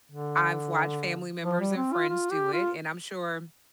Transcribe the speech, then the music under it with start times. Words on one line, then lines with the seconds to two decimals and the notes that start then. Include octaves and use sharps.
I've watched family members and friends do it, and I'm sure
0.12 D3
1.44 F3
1.60 G3
1.76 C4
1.93 F4
2.09 F4
2.31 G4
2.53 F4